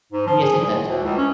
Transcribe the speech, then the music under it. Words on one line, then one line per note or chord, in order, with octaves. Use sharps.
Yes, it does.
G#2
F3
G#4
C2
A2
D2
C#2
C#4